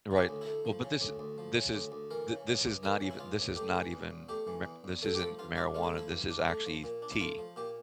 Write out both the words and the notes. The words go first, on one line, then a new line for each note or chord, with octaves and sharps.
Right. Well, but this this is th this is not even this is not even ma this isn't marijuana. This is actually tea.
C#3
G4
D2
A3 E4
F3
C#3
D2
D2
F3
C#3
D2
D2
E3 A#4
C#3
C#2
C#2
E3 A#4
C#3
E4
C#2 F4
C#2
A3 G4
E3
E2
E2
A3 G4
E3
E2
E2
A3 A4
G4
F3 A4
G2 F4
D4 F4
A3 F4
E4
F3 E4
G2
D4
A3
F3
A#2
D4
E4
A3 F4
F3
A#2 G4